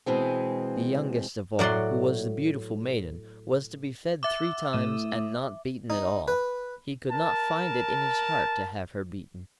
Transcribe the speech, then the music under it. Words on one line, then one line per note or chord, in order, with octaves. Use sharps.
The youngest of all, who was the beautiful Maiden, was to be fed three times, and not beaten at all; he could not find it in his heart to have her beaten.
B2 E3 G#3 C4
A2 F#3 D5 F#5 C6
E5 F#5 D6 E6
A2 D#6 E6
D#4
B4
A#4 A5